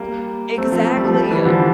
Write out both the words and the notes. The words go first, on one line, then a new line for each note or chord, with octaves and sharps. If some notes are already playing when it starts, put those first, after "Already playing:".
Exactly, uh!
Already playing: G3 A#3
A3 C4
F3 A3
A3
G3
F3 A3
E3 G3
D3 F3
E3